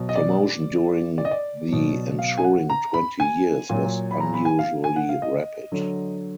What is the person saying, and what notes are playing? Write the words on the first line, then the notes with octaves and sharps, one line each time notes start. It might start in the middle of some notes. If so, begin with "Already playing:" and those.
Promotion during the ensuring twenty years was unusually rapid.
Already playing: B2 F#3
D#5
D5
D5
D#5
D5
B2 F#3
F5
G#5
F#5
A#5
B5
G#5
A#2 F#3
B5
A#5
B5
G#5
F5
G#5
F#5
F5
D#5
D3 F#3